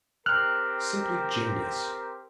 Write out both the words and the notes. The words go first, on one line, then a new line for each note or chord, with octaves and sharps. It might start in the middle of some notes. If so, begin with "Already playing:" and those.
Simply genius!
C4 G4 A#4 F6 F#6